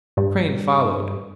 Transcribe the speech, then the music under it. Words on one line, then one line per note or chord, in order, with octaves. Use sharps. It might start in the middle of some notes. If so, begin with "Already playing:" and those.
Crane followed.
G2